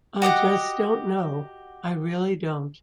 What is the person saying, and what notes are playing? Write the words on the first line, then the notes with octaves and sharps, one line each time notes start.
I just don't know, I really don't.
F#4 G4 D#5 F#5